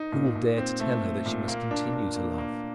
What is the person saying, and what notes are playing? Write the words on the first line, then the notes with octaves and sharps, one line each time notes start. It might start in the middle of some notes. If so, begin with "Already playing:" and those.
Who will dare to tell her that she must continue to love?
Already playing: D#4
A#2
A#2
C4
A3
A3
A#2
A#3
D4
D4
A#3
A#3